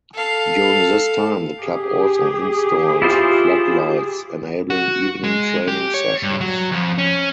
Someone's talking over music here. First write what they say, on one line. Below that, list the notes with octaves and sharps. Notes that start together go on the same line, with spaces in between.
During this time the club also installed floodlights enabling evening training sessions.
A4 F5
G4 G#4
E4 F4 C5
F#4
G#3
G4
C#5
G2
F#3
F2
C#4